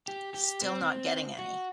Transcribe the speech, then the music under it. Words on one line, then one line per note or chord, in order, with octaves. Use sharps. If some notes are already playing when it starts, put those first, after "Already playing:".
Still Not Getting Any...
G4
G4
C4
C4
F#4